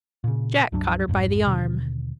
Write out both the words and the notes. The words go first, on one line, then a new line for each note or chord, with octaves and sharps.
Jack caught her by the arm.
A#2 C#3
C#2 G2 F#3 D4
B1 F2 G#2
D#2 B2 D3